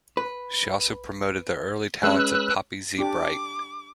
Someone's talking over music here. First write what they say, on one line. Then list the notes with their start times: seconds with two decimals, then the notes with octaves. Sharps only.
She also promoted the early talents of Poppy Z. Brite.
0.17 B4
2.03 G#3 C#4 B4 E6 F#6
2.99 D4 G4 D6